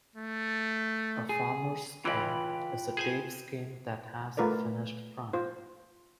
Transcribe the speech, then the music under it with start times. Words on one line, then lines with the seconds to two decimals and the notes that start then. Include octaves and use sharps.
A "farmer's sink" is a deep sink that has a finished front.
0.16 A3
1.29 G#4
2.05 C#2 E3 F4 G5 B5
2.97 G#4 C5 G#5
4.37 A3 F4 A#4 B4 D5
5.33 F4 C5